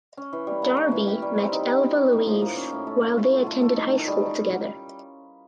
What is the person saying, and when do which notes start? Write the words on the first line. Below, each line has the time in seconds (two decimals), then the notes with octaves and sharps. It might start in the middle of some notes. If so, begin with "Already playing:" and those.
Darby met Elva Louise while they attended high school together.
0.17 C#4
0.33 E3
0.47 G3
0.62 A#3
0.77 C#4
0.92 E3
1.07 G4
1.22 G3
1.38 C4
1.52 D#4
1.67 G4
1.82 G3
1.97 C#4
2.13 A2
2.27 F3
2.42 A#3
2.57 C#4
2.72 A2
2.87 A3
3.03 A3
3.17 C#4
3.32 F4
3.47 A3
3.62 A3
3.76 D#4
3.92 D#3
4.07 G3